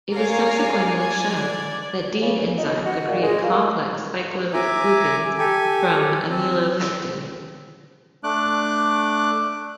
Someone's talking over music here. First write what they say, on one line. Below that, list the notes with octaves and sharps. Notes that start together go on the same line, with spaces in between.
It was subsequently shown that D-enzyme could create complex cycloglucans from amylopectin.
A#4 C#5 D5 F5 G#5
G#6
D5
C#3
E2
D#4
F#4
A#2
G#3
A#3
E5 G#5 A#5 D6
G4 A4 G#5
C4
A3 D4 D6 F#6